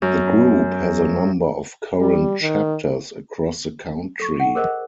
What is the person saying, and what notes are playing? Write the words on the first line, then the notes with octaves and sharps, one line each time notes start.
The group has a number of current chapters across the country.
F#2
G3
D#3
A4 C#6
F#5
G#4 A#4 C5 D#5